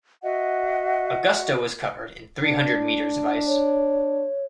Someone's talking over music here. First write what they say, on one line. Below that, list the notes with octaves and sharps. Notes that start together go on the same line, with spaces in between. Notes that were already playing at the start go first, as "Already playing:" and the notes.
Augusta was covered in three hundred meters of ice.
F#4 D#5 E5 F#5
D4
C#5